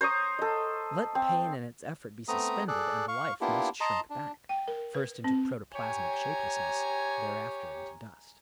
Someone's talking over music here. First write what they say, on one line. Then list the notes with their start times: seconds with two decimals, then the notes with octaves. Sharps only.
Let pain and its effort be suspended, and life must shrink back, first into protoplasmic shapelessness, thereafter into dust.
0.01 C5 A#5 C#6 D#6
0.39 A4 D#5
1.15 C4
2.28 A3 B3 C4 A#5 D#6
2.68 G#4 A4 D5 F#6
3.08 F5 C#6
3.41 A#3 B3 D4 E4 F4 G4
3.81 D#5 A5 A#5 C6
4.10 D4
4.49 G5
4.68 A#4
4.95 B4
5.24 C4
5.75 G4 C#5 G#5 A#5